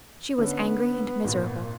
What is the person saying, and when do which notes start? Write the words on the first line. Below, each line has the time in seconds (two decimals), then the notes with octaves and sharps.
She was angry and miserable.
0.38 D3 B3 C#4
1.24 G#1 A#2